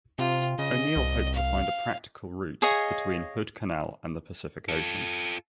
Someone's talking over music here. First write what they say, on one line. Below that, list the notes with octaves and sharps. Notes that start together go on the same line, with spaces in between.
O'Neil hoped to find a practical route between Hood Canal and the Pacific Ocean.
C3 F4
C#3 D#5
C2
F5
G#4 C#5 D#5 F5
F4 A4